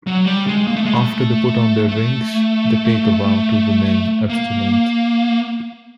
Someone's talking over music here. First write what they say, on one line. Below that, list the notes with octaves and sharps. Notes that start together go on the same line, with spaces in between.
After they put on their rings, they take a vow to remain abstinent.
F#3
G3
G#3
A#3
A3
G#3
A3
A3
A#3